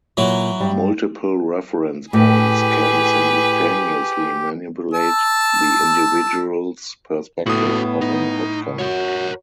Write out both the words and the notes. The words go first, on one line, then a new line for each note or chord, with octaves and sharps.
Multiple reference points can simultaneously manipulate the individuals perspective of an outcome.
A#2 E3 F#3
G2 G3
A2 G4 G#4 B4
A5 E6
A2 B3 F#4 A4 D#6
D#4
F#4 A#4 C#5